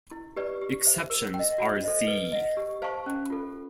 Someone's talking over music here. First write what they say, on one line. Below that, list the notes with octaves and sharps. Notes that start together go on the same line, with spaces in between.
Exceptions are z.
E4
G4 B4 D5
G4
C5 E5
A#4
G5
D#5
F#4
A4 C5 D#5
B4
D#5 F#5
G4
C5 F5 A5 C#6
C#4
F4 A4